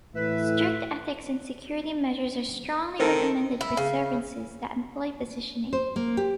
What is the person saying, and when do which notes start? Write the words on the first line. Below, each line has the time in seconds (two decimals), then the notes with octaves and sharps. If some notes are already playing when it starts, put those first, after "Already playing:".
Strict ethics and security measures are strongly recommended for services that employ positioning.
0.15 A2 E3 B4 E5
2.99 D#3 C4 A4 A#4
3.61 E4
3.77 C#3
5.73 C5
5.96 A#3
6.17 G4